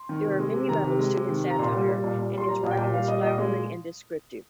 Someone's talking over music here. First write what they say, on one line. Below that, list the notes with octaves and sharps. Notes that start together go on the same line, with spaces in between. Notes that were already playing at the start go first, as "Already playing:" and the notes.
There are many levels to his satire and his writing is flowery and descriptive.
Already playing: C6
D#3
C3
G#3
C3
D#3 A#5
C3
G#3
C3
D#3
C3
A#5
A#2 C6
G3
G3
A#2
A#2
G3 C6
G3 A#5
A#2
G5
A#2
G3 F5
G3 D#5
A#2 D#5
G#3